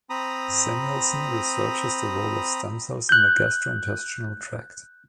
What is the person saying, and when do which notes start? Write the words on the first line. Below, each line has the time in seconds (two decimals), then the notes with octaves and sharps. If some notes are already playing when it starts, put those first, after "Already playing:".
Samuelson researches the role of stem cells in the gastrointestinal tract.
0.10 C4 A#5 B5 D#6
3.09 F#6 G6